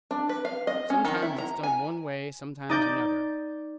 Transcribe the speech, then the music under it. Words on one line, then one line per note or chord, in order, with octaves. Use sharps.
Sometimes it's done one way, sometimes another.
D4
B4
F5
D#5
C#4
D#3
E4
A#5
G#5
D#4 D5 G6